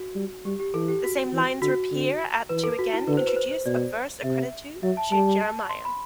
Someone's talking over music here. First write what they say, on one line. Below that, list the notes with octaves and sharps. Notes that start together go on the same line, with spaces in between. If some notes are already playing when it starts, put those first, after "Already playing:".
These same lines reappear at to again introduce a verse accredited to Jeremiah.
Already playing: F#4
G3
G3 G4
G4
E3 A4
G4
F#4
E3
D3 F#4
D3
E3 B4
A4
F#4
E4
D3 B4
C5
B4
C5
C5
B2 D5
C3 E5
F#3 E5
A5
G3 A5
C6
B5